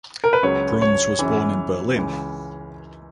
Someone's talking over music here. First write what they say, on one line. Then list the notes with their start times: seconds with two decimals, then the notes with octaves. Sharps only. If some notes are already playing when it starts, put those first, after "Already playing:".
Bruns was born in Berlin.
0.24 A#4
0.33 B4
0.43 C#2 C#3 F#3 C#5
0.82 C#5
1.19 F#2 C#3 E3
1.96 C#2 C#3 E3